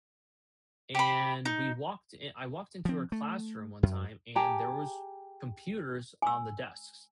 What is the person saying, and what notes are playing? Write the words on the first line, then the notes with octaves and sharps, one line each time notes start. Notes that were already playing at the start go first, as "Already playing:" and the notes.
and we walked in I walked into her classroom one time and there was computers on the desks;
G4 B5
D#4
F3 C4
A3
F#2
G4 G#4 A5 A#5
G#5 E6